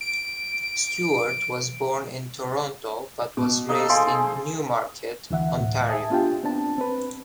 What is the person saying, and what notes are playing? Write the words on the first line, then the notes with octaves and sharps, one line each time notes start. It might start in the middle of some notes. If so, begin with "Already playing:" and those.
Stewart was born in Toronto, but was raised in Newmarket, Ontario.
D7
B2 D6
A#3 D#4 A4 D#5
G#4 C5 F5 G#5 C6
D2 E3 E5 F#5
A2
E5 G#5 A5 D#6
B3 D4 F4 G4 G5
B3 C4 D4 A5
C4 B4